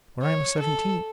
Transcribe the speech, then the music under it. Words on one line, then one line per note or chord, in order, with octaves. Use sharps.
When I am seventeen.
C#5
A4